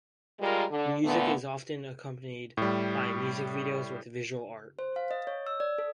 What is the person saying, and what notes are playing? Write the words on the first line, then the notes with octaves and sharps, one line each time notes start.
The music is often accompanied by music videos with visual art.
G3 G#3 F4 A#4
D3
A#2 D3 A3 B3
A2 G3
C5
F5
D#5
C#5
E6
D5
A4